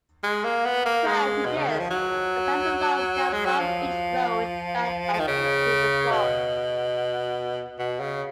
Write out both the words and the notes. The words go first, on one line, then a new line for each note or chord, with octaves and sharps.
Prior to this, companies along Scarborough Beach Road backed on to the swamp.
G#3
A#3
B3
A#3
G#3
B2
C#3
D#3
F3
F#3
G#3
F#3
F3
F3
D#3
C#3
B2
B2
C#3